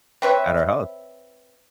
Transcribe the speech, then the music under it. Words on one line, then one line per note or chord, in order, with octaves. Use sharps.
at our health.
C4 B4 C#5 E5